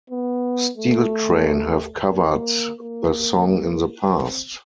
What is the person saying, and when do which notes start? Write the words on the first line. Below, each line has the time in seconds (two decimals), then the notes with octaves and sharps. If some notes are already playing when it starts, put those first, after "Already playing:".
Steel Train have covered the song in the past.
0.10 B3
0.77 A3
2.12 A#3
2.78 A#3
4.12 C4